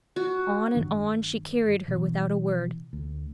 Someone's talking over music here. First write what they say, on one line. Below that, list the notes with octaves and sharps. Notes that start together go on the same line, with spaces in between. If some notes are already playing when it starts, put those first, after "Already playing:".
On and on she carried her without a word.
F#4
G2 D#3 D4
B2 E3
D2